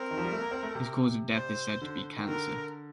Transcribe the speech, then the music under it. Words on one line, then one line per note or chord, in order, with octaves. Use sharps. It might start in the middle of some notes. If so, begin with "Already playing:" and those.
His cause of death is said to be cancer.
Already playing: C4 A#4
D#3
F3
G3
A3
A#3
C4
A3
C3
C5
D3
D#3
D3 A#4